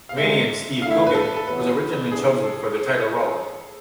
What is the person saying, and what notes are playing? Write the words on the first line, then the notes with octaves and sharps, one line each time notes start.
Comedian Steve Coogan was originally chosen for the title role.
F5
D2 C3 G#3 E5
D3 A3 E4 F5
E5
B4
A4
A4
A2 E3 B3 B4
C3 E3 B3 D4 G#4
A4